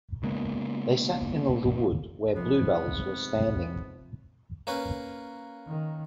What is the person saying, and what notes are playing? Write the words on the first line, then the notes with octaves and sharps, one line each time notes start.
They sat in the little wood where bluebells were standing.
C#3 G#3 A#3 B3
G#2 C3 F3 G3 B3 C4
A#3 C#4 B4
D#3